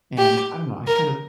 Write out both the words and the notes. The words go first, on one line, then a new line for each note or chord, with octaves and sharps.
and I don't know, I kind of
G4
A#4